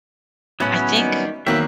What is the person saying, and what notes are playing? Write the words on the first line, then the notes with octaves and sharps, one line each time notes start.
I think
A2 C#3 F#3 B3 C#4 E5 B5
D#3 G3
E2 D#3 F#3 A#3 B4 E5